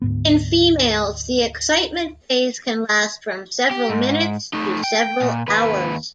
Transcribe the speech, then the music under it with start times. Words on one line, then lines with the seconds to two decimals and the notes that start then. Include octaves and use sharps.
In females, the excitement phase can last from several minutes to several hours.
0.02 D2 G#2 B3
3.71 G4
3.89 G#2
4.53 A3 D#4
4.84 G5
5.21 A#2
5.48 D#2 B4